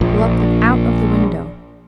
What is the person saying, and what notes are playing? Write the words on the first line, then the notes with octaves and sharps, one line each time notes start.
Gluck looked out of the window.
A#1 A#2